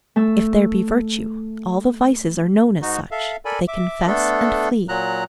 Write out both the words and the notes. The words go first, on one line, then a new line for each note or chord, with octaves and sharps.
If there be virtue, all the vices are known as such; they confess and flee.
A3 A5 E6
G#2 D#4 F#4
A4 E5 F5
A4 A#4 D5 G#5 B5
E5 D6
A3 B3 D4 A4
A#2 F#3 A#5 F#6